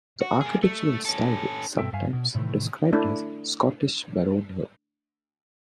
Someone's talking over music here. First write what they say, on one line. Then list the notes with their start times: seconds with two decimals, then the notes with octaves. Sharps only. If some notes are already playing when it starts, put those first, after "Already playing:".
The architectural style is sometimes described as Scottish baronial.
0.21 F#4
0.41 A#3 G#4
0.63 A3
1.05 C#4 A4
1.78 G2 C4 A4 E5 G5
1.93 G2 E5 F5 G#5
2.13 B2
2.35 A2 C3 D#3 E3 A3
2.93 A3 D4 E4